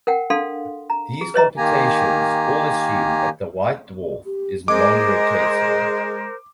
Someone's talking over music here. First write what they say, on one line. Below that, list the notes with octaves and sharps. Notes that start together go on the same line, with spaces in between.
These computations all assume that the white dwarf is non-rotating.
A#4 F#5 G5
D4 A4 F5 C6
A#5
G#4
B4 C#5 D#5 A#5
D#3 A#3 G4 G#5 A#5
G4
G#3 A#4 C5 D#5 D6